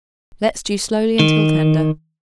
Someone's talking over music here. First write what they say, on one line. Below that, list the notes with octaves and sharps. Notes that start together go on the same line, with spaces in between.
Let stew slowly until tender.
D#3